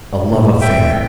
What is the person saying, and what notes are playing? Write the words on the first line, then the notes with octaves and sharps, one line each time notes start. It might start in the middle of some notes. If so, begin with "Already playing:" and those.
A love affair!
A#2 C#3
A1 C3 E5 G5